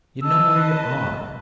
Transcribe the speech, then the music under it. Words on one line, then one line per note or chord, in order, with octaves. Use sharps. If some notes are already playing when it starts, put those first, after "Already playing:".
You know where you are.
D#5 A5 E6
B4